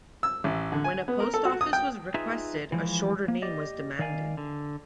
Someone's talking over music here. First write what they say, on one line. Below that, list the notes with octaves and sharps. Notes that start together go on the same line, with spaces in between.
When a post office was requested a shorter name was demanded.
E6
A1
D3
G#5
B3
A#4
A4
F#4
D#6
G5
D#4 F4 G#4 B4 E5
E3 F3 G#3
A#3
G4 D5 D#5
D#3 D5 F5 G#5
D3